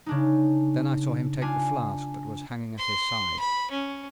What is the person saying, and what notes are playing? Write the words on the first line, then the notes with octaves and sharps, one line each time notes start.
Then I saw him take the flask that was hanging at his side.
C#3 D4 D#4
D4 F4 G#5
C6
B5
C#4